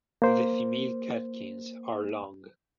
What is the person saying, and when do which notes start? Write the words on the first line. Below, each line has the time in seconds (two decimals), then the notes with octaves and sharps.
The female catkins are long.
0.22 A#3 C5